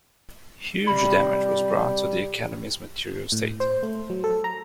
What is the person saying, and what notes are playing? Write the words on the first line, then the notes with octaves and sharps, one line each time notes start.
Huge damage was brought to the Academy's material state.
C3 G3 B5
A2
C5
A3
F#3
A4
A#5